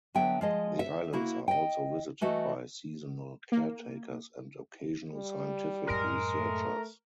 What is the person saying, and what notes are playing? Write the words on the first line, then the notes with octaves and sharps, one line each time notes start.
The islands are also visited by seasonal caretakers and occasional scientific researchers.
D3 F#3 B3 E5 G5
F3 G#3 D#5
E5
A#3 E4 F#4
D#5 G5
E3 A3 F#4 D#5
A#3
G3
F#2 A2 G#3 A#4
A3